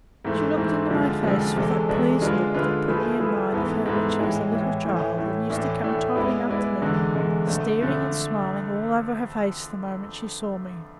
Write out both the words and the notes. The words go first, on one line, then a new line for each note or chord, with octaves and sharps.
She looked into my face with that pleased look that put me in mind of her when she was a little child and used to come toddling up to me, staring and smiling all over her face the moment she saw me.
G#2 E3 A3 C4
G#2 E3 A3 C4
F2 D3 F3 G#3
F2 D3 F3 G#3
E2 C3 G#3 D4 A4
E2 C3 G#3 D4 A4
D3 G#3 D4 F4 B4
D3 G#3 D4 F4 B4
F3 A3 E4 G#4 B4
F3 A3 E4 G#4 B4
G#2 E3 B3 E4 A4
G#2 E3 B3 E4 A4
A2 E3 G#3
A2 E3 G#3
A2 E3 A3
A2 E3 A3
A2 E3 A3 D4
A2 E3 A3 D4
G#3 B3 E4 B4 D5
G#3 B3 E4 B4 D5
E2 D3 G#3
E2 D3 G#3
F2 D3 A3
F2 D3 A3